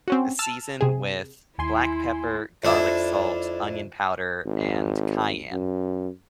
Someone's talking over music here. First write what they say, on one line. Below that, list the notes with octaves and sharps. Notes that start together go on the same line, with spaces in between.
Uh, season with black pepper, garlic salt, onion powder, and cayenne.
C4 C#4 F#4
A5 E6 F6
C3 G#4
D#2 E4 G#5 C6
F2 D4 E4
G#1
F#2